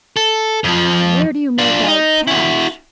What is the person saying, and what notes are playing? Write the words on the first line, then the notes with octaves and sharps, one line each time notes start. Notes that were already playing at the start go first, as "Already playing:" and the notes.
"Where do you make out cash?"
A4
F2 F3
D4 F4
D#4
E4 F#4